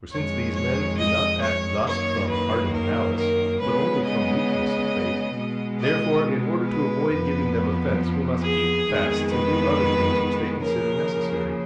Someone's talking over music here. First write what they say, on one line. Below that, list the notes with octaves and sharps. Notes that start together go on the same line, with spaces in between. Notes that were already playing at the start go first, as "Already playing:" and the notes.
For since these men do not act thus from hardened malice, but only from weakness of faith, therefore, in order to avoid giving them offence, we must keep fasts and do other things which they consider necessary.
F2 D#3 G#3 C#5
C#5
D#5
C#5
F#2 D#3 A#3 C#5
B4
A#4
A#4
C#3 G#3 B3 B4
D#5
B2 G#3 B3
D#5
B4
F2 F3 B3
G#4
F2 D#3 G#3 B3
B4
C#3 F3 A#3 A#4